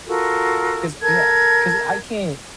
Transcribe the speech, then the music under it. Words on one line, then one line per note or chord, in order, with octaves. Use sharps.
'cause, yeah 'cause I can't
F4 F#4 A4 A#4
A4 A#4 G#6